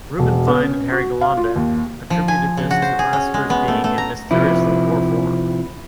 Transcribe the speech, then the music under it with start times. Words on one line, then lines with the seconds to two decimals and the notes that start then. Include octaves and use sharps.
Reuben Fine and Harry Golombek attributed this to Lasker's being in mysteriously poor form.
0.19 E1
0.48 B3
0.63 C#4
0.92 F#4
1.21 F5
1.37 F4
1.56 D#2
2.10 F3
2.28 G#5
2.57 C#3
2.71 F#4
2.82 C5
2.99 G#4
3.13 C#4
3.34 G#3
3.50 B3
3.68 A3
3.84 A3
3.98 A#5
4.31 C3 F3 E4